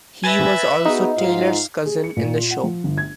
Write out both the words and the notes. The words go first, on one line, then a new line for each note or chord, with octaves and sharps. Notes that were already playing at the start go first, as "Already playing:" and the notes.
He was also Taylor's cousin in the show.
B4 E5 G#5 A6 A#6
B3 D#4 F#4 G#4
G#2 F4 F5
G#4
C#7
A#2
F4
F#5
F3
G1
G#6